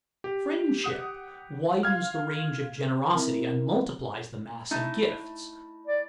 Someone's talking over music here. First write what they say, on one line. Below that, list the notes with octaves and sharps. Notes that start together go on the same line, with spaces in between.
Friendship widens the range of generosity and multiplies the mass of gifts.
G4
F#5 D#6
F4 F5 F6 G#6
C4 D#4 E4 A#4
A3 D#4 E4
D5